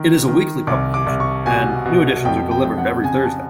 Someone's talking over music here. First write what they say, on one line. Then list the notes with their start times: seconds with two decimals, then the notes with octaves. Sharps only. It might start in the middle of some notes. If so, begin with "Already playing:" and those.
It is a weekly publication and new editions are delivered every Thursday.
Already playing: D#3
0.28 D#3
0.67 C2 D6
0.94 D6
1.07 C2
1.20 C#6
1.46 B2 G#5
1.86 B2
2.25 F2 G5
2.51 G5
2.65 F2
2.78 F#5
3.04 C#3 G#5
3.24 A5